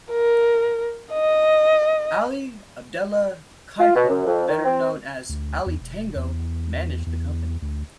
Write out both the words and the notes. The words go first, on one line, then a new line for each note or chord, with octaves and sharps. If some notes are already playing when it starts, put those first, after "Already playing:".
Ali Abdella Kaifa, better known as Ali Tango, managed the company.
A#4
D#5
F4
B2
F#2
F2
D#3
C4
D2
E2
E1
E2
E2
D2